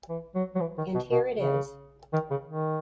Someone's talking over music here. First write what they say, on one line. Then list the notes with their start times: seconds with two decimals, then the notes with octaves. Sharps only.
And here it is.
0.09 E3
0.35 F#3
0.55 F#3
0.60 E3
0.78 D#3
0.95 B2
1.11 B2
1.37 C#3
2.13 D#3
2.31 C#3
2.47 D#3